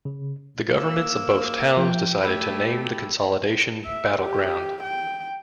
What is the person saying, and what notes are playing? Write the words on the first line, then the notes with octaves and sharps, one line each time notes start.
The governments of both towns decided to name the consolidation Battle Ground.
C#3
A#3 E6
F3 G5
A3 G4 B5 E6 G#6
E5
G4
G5